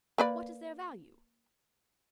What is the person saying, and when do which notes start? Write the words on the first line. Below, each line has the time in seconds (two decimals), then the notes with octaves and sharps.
"What is their value?"
0.18 A#3 B4 D5